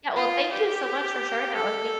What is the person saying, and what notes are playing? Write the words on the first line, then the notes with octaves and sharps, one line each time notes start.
Yeah, well, thank you so much for sharing that with me.
F4
G4
A4